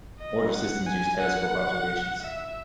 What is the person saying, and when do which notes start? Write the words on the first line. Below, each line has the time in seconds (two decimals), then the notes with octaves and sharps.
Older systems use telescope observations.
0.19 D#5
0.53 F#5
0.86 G#5
1.21 F#5
2.22 E5